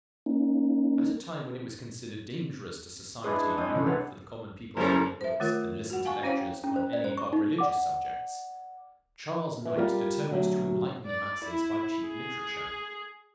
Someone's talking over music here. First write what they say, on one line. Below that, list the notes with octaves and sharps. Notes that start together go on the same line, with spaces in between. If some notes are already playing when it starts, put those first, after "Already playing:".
At a time when it was considered dangerous to society in Europe for the common people to read books and listen to lectures on any but religious subjects, Charles Knight determined to enlighten the masses by cheap literature.
A#3 C#4 D#4
G#3 D4 E4 G#4 B4
C4 C#5 D#5
C3 E3 C#4
B4 C#5 F#5
F#1 G3 C#4 E4 A4 A#4 C5
C5 E5
D#3 A3 F4 A#4
F#4 F#5
F5 G#5 A5 C#6
C#4 E4 C5 C#5 F5 G5
C#4
C5
D5
C5
C#6
D#4
D5 F#5 D6
E3
G3 F4 G4 A#4
D2 F#3 G3
D5
E4
G#4